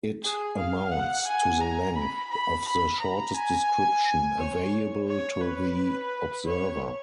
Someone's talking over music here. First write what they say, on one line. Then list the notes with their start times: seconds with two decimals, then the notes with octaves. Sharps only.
It amounts to the length of the shortest description "available to the observer".
0.23 G#4
0.58 F5
0.92 F#5
1.27 G#5
1.61 A#5
1.95 B5
2.30 B5
2.65 B5
3.00 A#5
3.34 G#5
4.38 C#5
5.07 C#5
5.41 B4
6.46 C#5